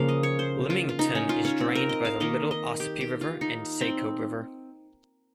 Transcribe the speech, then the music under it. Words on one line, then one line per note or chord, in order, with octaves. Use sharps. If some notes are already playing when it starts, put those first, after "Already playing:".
Limington is drained by the Little Ossipee River and Saco River.
Already playing: C#3 F3 A#3 F5
D#5
C#5
C5
F4
F4
D#4
C#4
F4
C#4
C4
A#4
D#5
F5
D#3 A#3 D#5
D#5
G4
G4
F4
D#4
C4